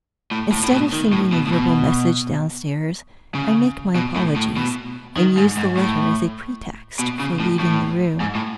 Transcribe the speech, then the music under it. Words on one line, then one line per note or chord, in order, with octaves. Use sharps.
Instead of sending a verbal message downstairs, I make my apologies, and use the letter as a pretext for leaving the room.
A2
A2
A2
B2
D#3
A2
B2
A2
B2
C#3
B2
A2
A2
B2
D#3
G#2
G#2
A2
B2
C#3
A2
A2
G#2
A2